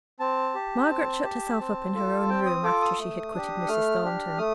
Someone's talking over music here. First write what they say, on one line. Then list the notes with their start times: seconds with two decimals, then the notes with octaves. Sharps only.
Margaret shut herself up in her own room, after she had quitted Mrs. Thornton.
0.20 C4 A5
0.54 G4
0.90 C4
1.24 G4
1.59 C4
1.94 F4 A4
2.29 C4 G5
2.46 D#6
2.64 F4 A4 D6
2.81 D#6
2.99 A3
3.34 D4 G4
3.68 A3 F6
4.03 D4 G4
4.38 A3 D#6